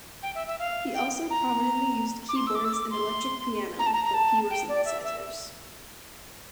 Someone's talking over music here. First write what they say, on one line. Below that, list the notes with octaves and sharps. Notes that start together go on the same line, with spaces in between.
He also prominently used keyboards and electric piano but fewer synthesizers.
G5
E5
E5
F5
G5
A#5
D6
C6
E6
D6
E6
D6
C6
A#5
A5
A#5
A#5
A5
G5
D5
E5
E5